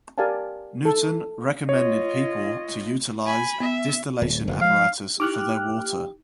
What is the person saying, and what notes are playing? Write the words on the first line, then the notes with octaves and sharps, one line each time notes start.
Newton recommended people to utilize distillation apparatus for their water.
G4 A#4 D5 F5 G#5 A5
A4
F4 C#5 D#5
G#5 B5
B3 E5
D1
F#1 B2 D3
F3 G#3 F5
D#4 E4 G4 D6 F6 F#6